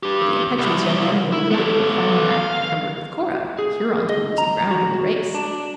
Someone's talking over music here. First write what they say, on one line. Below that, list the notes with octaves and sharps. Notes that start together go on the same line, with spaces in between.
But the impetuous young men were rewarded by finding that, encumbered with Cora, the Hurons were losing ground in the race.
D4 G4
C2
E4
B3 A4
F5
G#4
D#5
A#5
F#4
D4